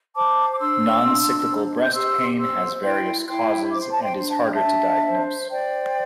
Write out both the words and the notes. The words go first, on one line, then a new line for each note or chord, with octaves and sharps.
Noncyclical breast pain has various causes and is harder to diagnose.
C5 A5 D6
D6
D4 C6 E6
D4
C5
G6
G4 C6 E6
C5 C6 E6
E4 G5 C6
E4 G5 C6
C5 D6
C6
A5
G5 C6
D4 C6
A5
G5
E5 A5
D4
C5
C5 D5 G5